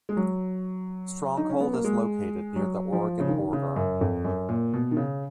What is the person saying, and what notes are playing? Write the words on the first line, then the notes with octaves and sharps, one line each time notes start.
Stronghold is located near the Oregon border.
G#3
F#3
D#4
C#4
B3
A#3
G#3
F#3
F3
C#3
D#3
C#3
F#2
F2
F#2
A#2
B2
D#3
C#3